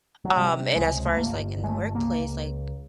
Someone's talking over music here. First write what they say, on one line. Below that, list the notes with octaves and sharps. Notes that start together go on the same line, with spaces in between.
um, and as far as, like, in the workplace, like,
F#3
C3 G3
C#2 G#3
A3
G1 A#3
G1
G#3
A3
C#2 A#3